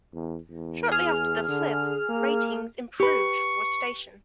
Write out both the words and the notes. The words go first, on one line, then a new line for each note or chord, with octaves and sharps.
Shortly after the flip, ratings improved for station.
E2
E2
G#4 F6
D3
A#3
G4 B4 C#6